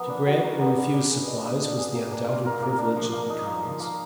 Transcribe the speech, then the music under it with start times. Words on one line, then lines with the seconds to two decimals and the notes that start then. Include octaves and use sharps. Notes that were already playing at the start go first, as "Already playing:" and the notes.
To grant or refuse supplies was the undoubted privilege of the commons.
Already playing: F3 A#3 B3
0.09 D4
0.26 F#4
0.43 A#4
0.60 B3
0.77 D4
0.94 D4
1.11 G#4
1.27 D#5
1.44 D4
1.61 D4
1.78 G#4
1.95 A#3
2.12 D4
2.28 F4
2.46 A#4
2.62 A#3
2.79 D4
2.96 F3
3.13 A#3
3.30 D#4
3.46 F3
3.63 F3
3.80 A#3